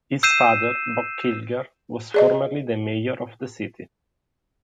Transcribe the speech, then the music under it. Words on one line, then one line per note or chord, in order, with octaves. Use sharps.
His father, Bob Kilger, was formerly the mayor of the city.
E6 G6 C7 D#7 E7
G#4 D5 D#5